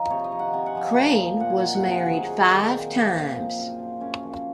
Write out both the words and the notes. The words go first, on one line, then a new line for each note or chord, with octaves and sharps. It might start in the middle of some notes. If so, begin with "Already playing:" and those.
Crane was married five times.
Already playing: F3 D#4
C3 C#5
D#5
F3
F#5
C3 G#5
F#5
F3 G#5
A#2
F3
A#2 F#5
G#5
F3 F#5
F#5
C3 G#5
F5
F#5
D#3 F#3
G#4
C3
D#3 F#3
A#2 C4
F3
A#2
F3
F#2
F3
F#2 C#4
F3